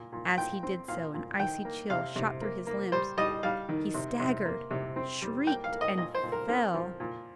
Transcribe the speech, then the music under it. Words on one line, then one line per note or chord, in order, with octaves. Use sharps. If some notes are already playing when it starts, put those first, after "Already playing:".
As he did so, an icy chill shot through his limbs: he staggered, shrieked, and fell.
Already playing: A#2
A#2
A#2 G5
C4
A#2 F5
A#2
D#3 G5
A#3
C3 F5
C3
A#3
A#3
G3 C5
G3 D#5
G3 F5
D#3
C3
C3
A#3
C3
C4
G3
A#3 G5
F5
A#3
D#5
A#2 D#5
C5
A#2
A#4
C4 A#4
F3
A#2